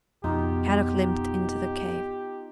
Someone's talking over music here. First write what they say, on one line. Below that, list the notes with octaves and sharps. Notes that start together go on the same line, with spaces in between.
Kadok limped into the cave.
F2 B2 D#4 F4 G4